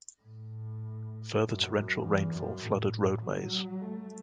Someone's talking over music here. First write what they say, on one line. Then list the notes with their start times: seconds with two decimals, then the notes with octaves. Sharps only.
Further torrential rainfall flooded roadways.
0.22 A2
1.42 F#2
2.01 E2
2.32 F#2
2.62 A2
3.22 F#3
3.81 A3